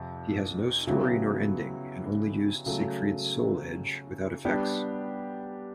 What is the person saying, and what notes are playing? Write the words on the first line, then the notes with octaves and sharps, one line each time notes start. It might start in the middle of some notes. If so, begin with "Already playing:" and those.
He has no story nor ending, and only used Siegfried's Soul Edge without effects.
Already playing: F2 C3
C#3 F#3 B3 E4 G4
C#3 F#3 A3
G3 B3 D4 G4